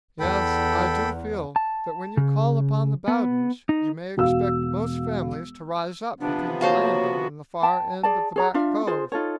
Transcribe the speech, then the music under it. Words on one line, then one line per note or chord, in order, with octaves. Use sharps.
Yes, I do feel that when you call upon the Bowdens you may expect most families to rise up between the Landing and the far end of the Back Cove.
E2 A4 G5 B5
A5
C#3
B3
D#4
E1 F#4 F5 E6
C3 F3 B3 D4
A#3 F#4 C5 C#5 F5 A5
G5 A5
G#4 D5 A5
G#4 C#5 A#5
D4 F4 E5 F5
F4 G#4 C5
D#4 F4 A4 C#5